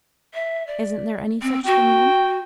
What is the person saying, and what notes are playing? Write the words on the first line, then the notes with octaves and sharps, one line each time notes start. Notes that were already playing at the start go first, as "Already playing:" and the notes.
"Isn't there any such thing, then?"
E5
D5
C4
F#4 G5